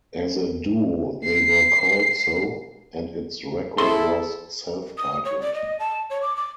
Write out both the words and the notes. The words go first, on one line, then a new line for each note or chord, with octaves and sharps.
As a duo they were called So, and its record was self-titled.
C7
E4 G#4 A4 C6
D#6
C#5
D5
D#5
A5
C#5
D6
D6